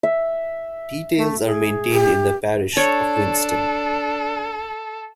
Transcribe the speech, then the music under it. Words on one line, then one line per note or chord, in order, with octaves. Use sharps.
Details are maintained in the parish of Winston.
E5
A3
G#4
G4
D4 A4 C#5